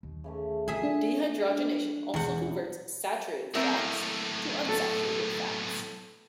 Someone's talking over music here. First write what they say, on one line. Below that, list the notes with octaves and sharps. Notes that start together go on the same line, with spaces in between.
Dehydrogenation also converts saturated fats to unsaturated fats.
D#2
C#3 E3 A3
F4 G#4 E5
D4
E1 E2 F#5
B1 A2 C4 E4 A#4
A4